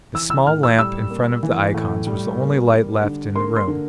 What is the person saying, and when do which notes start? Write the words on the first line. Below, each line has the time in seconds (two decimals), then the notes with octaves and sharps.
The small lamp in front of the icons was the only light left in the room.
0.14 E3 E6
0.30 E6
0.47 A2 F6
0.63 E6
0.78 G3 E6
1.10 A#3
1.43 E3
1.74 A2
2.07 G3
2.40 A#3
2.71 G3
3.03 D3
3.35 A#3 C6
3.56 C6
3.67 D3